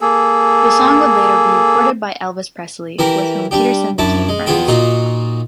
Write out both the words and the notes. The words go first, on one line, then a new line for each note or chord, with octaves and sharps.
The song would later be recorded by Elvis Presley, with whom Peterson became friends.
A#3 G#4 A4
E3 E4 G4 A#4
G3 D4 G4
F#2 D4 E4 D5 A5
G#3
E2 B3 F4 G#4 A4 G5
A#2 D#4 F4 F#4